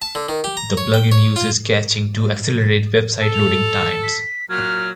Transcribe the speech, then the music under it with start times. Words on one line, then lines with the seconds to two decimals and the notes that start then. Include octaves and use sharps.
The plugin uses caching to accelerate website loading times.
0.02 A5
0.15 D3
0.29 D#3
0.44 G4
0.57 A#5
0.77 C#5
0.94 G5
1.12 C#5
1.36 F4
3.21 A4
3.34 F7
4.03 B6
4.49 A#2 F#3 F6